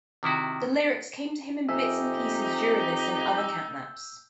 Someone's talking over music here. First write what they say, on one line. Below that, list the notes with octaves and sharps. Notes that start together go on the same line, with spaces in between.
The lyrics came to him in bits and pieces during this and other catnaps.
C3 D#3 E4 F#4
F2 D#4 G4 E5 G#5 E6
E6 G6